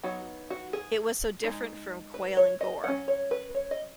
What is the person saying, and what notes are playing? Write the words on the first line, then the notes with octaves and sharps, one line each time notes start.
It was so different from Quayle and Gore.
F#3 B3 D#4 F#4
F#4
G#4
G#3 D#4
B4
C#5
D#5
F#3 C#4 F#5
C#5
B4
C#5
D#5